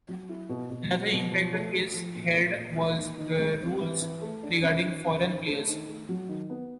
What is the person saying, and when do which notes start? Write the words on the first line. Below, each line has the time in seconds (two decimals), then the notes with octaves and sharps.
Another impact the case had was the rules regarding foreign players.
0.08 F#3
0.29 E4
0.49 B2
0.70 B2
0.91 F#3
1.12 B2
1.32 F3
1.53 A3
1.74 A3
1.94 F3
2.15 A#2
2.36 A#3
2.57 A#2
2.77 A#3
2.99 D#3
3.18 D#4
3.39 G#3
3.61 C4
3.81 E3
4.01 E3
4.21 A3
4.43 D4
4.63 C#4
4.84 D#3
5.05 C#4
5.26 D#3
5.46 A3
5.68 D#3
5.88 A3
6.09 F#3
6.28 D#3
6.50 B3